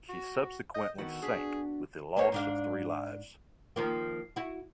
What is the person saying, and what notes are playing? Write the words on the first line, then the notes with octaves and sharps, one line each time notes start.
She subsequently sank with the loss of three lives.
F#4
D#5 G6
D#3 B3 F#4 A4
D4 G#4 B6
A#3 B4 C#5
G#2 D4 F5
D#3 F3 A#3
E4 F#4